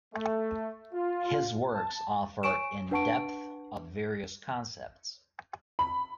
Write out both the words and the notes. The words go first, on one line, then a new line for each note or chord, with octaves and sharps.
His works offer in-depth of various concepts.
A3
F4
A5
C#5 G#5 C#6 D7 E7
D4 B4 F#5 A5 C#6 D7
B5